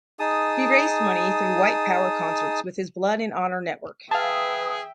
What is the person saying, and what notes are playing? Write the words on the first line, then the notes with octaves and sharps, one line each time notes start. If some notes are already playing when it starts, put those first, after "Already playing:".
He raised money through white power concerts with his Blood and Honour network.
D#4 G#4 A5 D#6
G#4 B4 E5 F5 G5 A5 D#6 E6